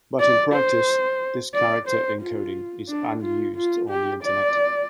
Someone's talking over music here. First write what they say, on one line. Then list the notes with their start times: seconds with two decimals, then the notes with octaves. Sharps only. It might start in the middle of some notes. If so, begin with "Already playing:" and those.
But in practice this character encoding is unused on the Internet.
0.20 D5
0.53 C5
1.54 D5
1.88 C5
2.21 F4
2.89 D4
3.22 F4
3.56 F4
3.90 G4
4.23 D5